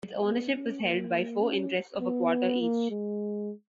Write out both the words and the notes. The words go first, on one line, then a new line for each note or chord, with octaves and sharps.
Its ownership was held by four interests of a quarter each.
B3
C#4
A#3
C#4
B3
A#3
G#3